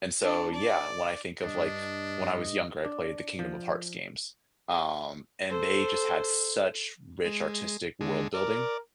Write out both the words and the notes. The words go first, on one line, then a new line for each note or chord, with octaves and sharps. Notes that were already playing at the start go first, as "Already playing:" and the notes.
and so, yeah, when I think of like, when I was younger, I played the Kingdom of Hearts games, um, and they just had such rich artistic world building,
D4
D5
G2 D4 D#5
D4
F3
A4 C5
G#3
D3 G#3
A#4 D5